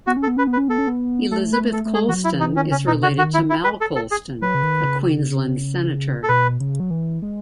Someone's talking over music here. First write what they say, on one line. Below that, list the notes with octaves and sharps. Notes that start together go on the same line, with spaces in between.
Elizabeth Colston is related to Mal Colston, a Queensland Senator.
B3 F#4
C#4
A4
B3
C#4 B4
B3
B4
C#4
B3 A4
C#4
B3
A3 A4
B4
A4
A3
G#3 G#4
E3 F#4
F#3
E4
E3 D#4
D#3 C#4
C#3 C#4
B2 D#4
C#3 F#4
D#3 F#4
E4
E4
B4
A4
A4
G#4
F#3 B4
C#3
D#3
C#3
A4
B2 B4
C#3
F#3
E3
G#3